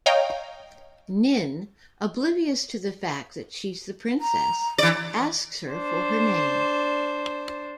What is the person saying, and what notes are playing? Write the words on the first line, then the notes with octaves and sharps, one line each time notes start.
Nin, oblivious to the fact that she's the princess, asks her for her name.
C#5 D#5 F5 G5 A#5
A#5
E3 D5
D4 C5